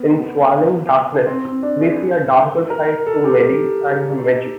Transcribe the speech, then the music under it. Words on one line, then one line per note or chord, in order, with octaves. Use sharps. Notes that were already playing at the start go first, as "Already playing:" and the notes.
In "Swallowing Darkness", we see a darker side to Merry and her magic.
Already playing: B3
B3
C4
C4
D4
G#4
A#4
A4
G4